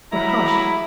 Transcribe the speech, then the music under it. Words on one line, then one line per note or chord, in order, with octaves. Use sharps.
But hush!
F#3 G#3 E4 A#5 B5